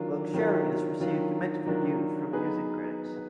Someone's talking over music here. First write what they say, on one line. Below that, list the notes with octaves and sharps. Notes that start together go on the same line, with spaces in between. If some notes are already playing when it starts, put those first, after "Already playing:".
"Luxurious" received mixed reviews from music critics.
Already playing: D#3 F#3 D4 F4 A#4
D#3 F#3 D4 F4 A#4
D#3 F#3 D4 F4 A#4
D#3 F#3 D4 F4 A#4
F#3 B3 D#4 G#4 B4